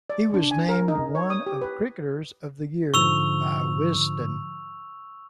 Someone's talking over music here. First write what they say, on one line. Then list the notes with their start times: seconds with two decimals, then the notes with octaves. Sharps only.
He was named one of Cricketers of the Year by "Wisden".
0.10 D5
0.34 D4
0.51 G#5
0.69 A#4
0.88 D#4
1.15 C#5
1.30 D#6
1.46 G4
1.61 B4
2.94 G#2 D3 F3 C#6 E6 F7